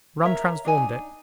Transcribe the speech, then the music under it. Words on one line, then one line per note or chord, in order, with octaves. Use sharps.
Rum transformed it.
A#4 C#5 E5 A#5
D4 D#4 G#5